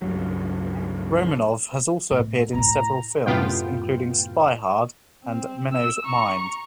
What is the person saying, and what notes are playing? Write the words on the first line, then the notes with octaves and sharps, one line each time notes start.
Romanov has also appeared in several films, including "Spy Hard" and "Menno's Mind".
C#2 G2 F#3
A2
A2 E4 A#5
F#2 A2 C3 B3 F4 G5
C4
E6
A#5 C#6